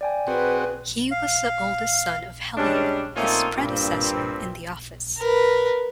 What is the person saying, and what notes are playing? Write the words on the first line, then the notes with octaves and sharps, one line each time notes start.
He was the oldest son of Hellier, his predecessor in the office.
D5 G5 G#5
C4 F#4 G#4 B4
F5
G3 G#3 C#4 D4
A3 A#3 C4 C#4 D#4 F4
G2 A#2 C4
A#4 B4